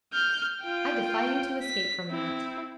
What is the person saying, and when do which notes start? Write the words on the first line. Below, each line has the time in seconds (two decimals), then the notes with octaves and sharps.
I defy you to escape from that.
0.13 F6 G6
0.61 F4 G5
1.62 B6
2.09 C4 E4